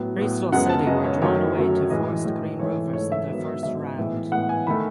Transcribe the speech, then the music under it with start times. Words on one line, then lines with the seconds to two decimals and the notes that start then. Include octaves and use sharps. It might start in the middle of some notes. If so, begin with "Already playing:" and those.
Bristol City were drawn away to Forest Green Rovers in the first round.
Already playing: A2 F#3 B3
0.18 A2 F#3 B3
0.52 F#2 C#3 G#3 B3 F#5
0.69 A5
0.87 F#2 C#3 G#3 B3 D#5
1.04 C#5
1.22 F#2 D#3 F#3 A3 C#5
1.56 F#2 D#3 F#3 A3
1.90 A2 E3 G#3 D#5
2.25 A2 E3 G#3
2.59 G#2 E3 A3 C#5
2.93 G#2 E3 A3 C#5
3.12 E5
3.29 G#2 D#3 F#3 B3
3.63 G#2 D#3 F#3 B3 E5
3.98 A2 E3 G#3 B3
4.32 A2 E3 G#3 B3 F#5
4.49 G#5
4.67 D#3 A3 B5